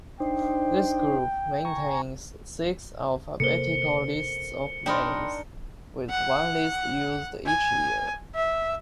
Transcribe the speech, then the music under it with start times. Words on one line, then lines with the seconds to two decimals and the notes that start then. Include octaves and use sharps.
This group maintains six alphabetical lists of names, with one list used each year.
0.20 D4 D#4 C5 G5
1.65 G#5 A#5 C#6
3.40 C3 A#3 A4 A#4 C5 C#7 G7
4.86 D4 D#4 A#4 G5 B5 C6
6.10 F#5
7.46 G#5
8.35 E5